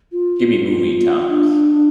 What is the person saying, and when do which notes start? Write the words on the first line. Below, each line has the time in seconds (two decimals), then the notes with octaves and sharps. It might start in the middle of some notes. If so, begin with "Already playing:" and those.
Gimme movie times.
0.12 F4
1.29 D4